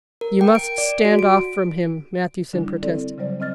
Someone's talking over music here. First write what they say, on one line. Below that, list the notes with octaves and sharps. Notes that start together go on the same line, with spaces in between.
"You must stand off from him," Matthewson protested.
A#4
G5
D7
D5
F#4
D7
D3 G3 D4 E4
C4 E4 A4 D5
C#3 F#3 G3 C5 D5
C4 D#5 F6 A6